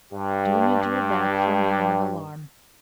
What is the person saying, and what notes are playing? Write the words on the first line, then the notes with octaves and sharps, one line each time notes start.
Dounia drew back from him in alarm.
G2 G4